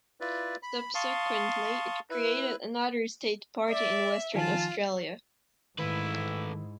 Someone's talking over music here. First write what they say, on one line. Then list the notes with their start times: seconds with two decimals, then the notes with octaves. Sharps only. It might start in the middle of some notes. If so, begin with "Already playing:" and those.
Subsequently, it created another state party in Western Australia.
0.21 E4 F4 B4 D5
0.63 B5
0.95 F5 A5 C6 C#6 D#6
2.10 E4 B4
3.69 D5 E5
4.35 D#3 F3 F4 G#5 A5
5.78 G#2 D#3 A3 E4 B4